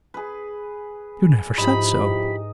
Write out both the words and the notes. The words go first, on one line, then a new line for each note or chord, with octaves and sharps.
"You never said so."
G#4 B4
G#2 F3 D#4 E4 G4 D#5 B5